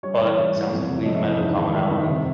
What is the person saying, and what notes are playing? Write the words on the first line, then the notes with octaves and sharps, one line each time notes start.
but it sounds like we've met a commonality.
G3 C#5
D5
E3 C#5
E3
A2
F2
C3
F2 D#5
E5
E3 D#5
G#2
D#3
G3 E5
D#3
C3